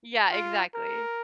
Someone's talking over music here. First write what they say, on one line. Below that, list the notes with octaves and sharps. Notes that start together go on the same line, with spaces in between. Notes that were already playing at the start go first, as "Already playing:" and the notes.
Yeah, exactly.
F4
A#4